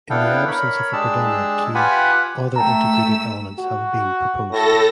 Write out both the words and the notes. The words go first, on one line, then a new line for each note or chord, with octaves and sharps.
In the absence of a predominant key, other integrating elements have been proposed.
B3 D4 E4 A4 F5 G5
A#4 C#5 B5
G#3 D4 G4 G#4 A5 E6
F4 G4 B4 F#5 G#5 B5
A3 G5 A5 A#5 E6
F#4
A2 A4 A#6